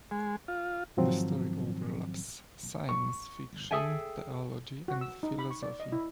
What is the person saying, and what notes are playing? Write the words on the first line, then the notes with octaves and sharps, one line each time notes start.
The story overlaps science fiction, theology, and philosophy.
G#3
F4
G#2 D#3 F3 F#3 C4
C#6
G#4 A4 E5 G5 G#5
F#4
E6
D#4
B5
C#6
D5
D#5
E4